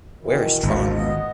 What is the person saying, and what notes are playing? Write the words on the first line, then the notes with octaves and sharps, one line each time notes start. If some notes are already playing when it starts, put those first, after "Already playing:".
Where is Tron?
B2 D#3 E3
G#1 D2 B2 F3
B3 D#5